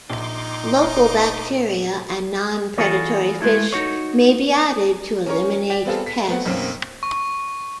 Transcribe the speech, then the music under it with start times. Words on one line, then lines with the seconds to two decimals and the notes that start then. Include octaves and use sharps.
Local bacteria and non-predatory fish may be added to eliminate pests.
0.10 A#1 D#4 C6 D6
2.78 E3 F4 F#4 G#4 A4 C#5
3.41 G#3 A3 E4 A4
3.73 D#4 F#4 C#5
5.26 C#4 G#4 A#4 C#5 C#6
5.70 D5 G5 B6
5.85 G3 B3 C4 F4 G#4 A4
6.06 B6
6.27 A3 B3 C4 F#5
6.46 B1 F#2 A#3 C4
7.03 C#6